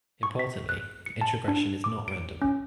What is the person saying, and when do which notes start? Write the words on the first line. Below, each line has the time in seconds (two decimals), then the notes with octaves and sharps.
Importantly, the introgression is not random.
0.23 C#6
0.39 B6
0.69 F#6
1.06 C#7
1.21 A5
1.48 D4
1.84 D6
2.08 D7
2.42 C#4